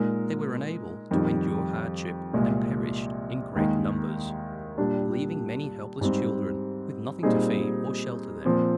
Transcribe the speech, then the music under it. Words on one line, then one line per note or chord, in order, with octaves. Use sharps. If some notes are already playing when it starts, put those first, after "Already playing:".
They were unable to endure hardships, and perished in great numbers, leaving many helpless children, with nothing to feed or shelter them.
Already playing: A#2 G#3 D#4 A#4
F2 D#3 G3
C2 A#2 G#3
D#2 D#3 G#3
A#2 G3 D4 G4
G#2 G3 C4
A#2 G3 C4 D#4 G#4
A#2 F3 C4